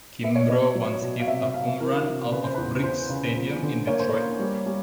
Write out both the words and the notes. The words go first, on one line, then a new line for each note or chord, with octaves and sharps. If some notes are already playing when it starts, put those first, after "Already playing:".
Kimbro once hit a home run out of Briggs Stadium in Detroit.
B3 E5
C#5
D5
B3 D#5
F#3 D5
B2
F5
C3 E5
E5
C3 F5
E5
E3 A#4
C3
C#3 B4
C5
E2 B4
E2 C5
C#3
F3
D3
A#3 C#5
C5
A#3 C#5
G3
G3